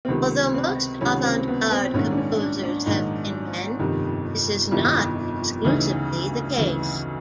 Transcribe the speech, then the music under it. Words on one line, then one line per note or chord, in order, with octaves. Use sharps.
Although most avant-garde composers have been men, this is not exclusively the case.
C4
C#2 C3 D#3 B3
C4
C#2 C3 D#3 C#4
C4
B3
C4
A#1 G#2 D#3 C#4
D4
C#4
D4
D4
A#1 G#2 D#3 D#4
G1 F2 C3 D#3
G1 F2 C3 D#3 E4
D2 C#3 E3 D#4
D2 C#3 E3